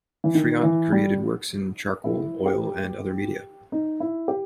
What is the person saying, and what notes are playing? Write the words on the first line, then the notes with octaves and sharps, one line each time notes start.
Friant created works in charcoal, oil, and other media.
E3
D#3
E3
G3
E4
G4
D#4
E4
G4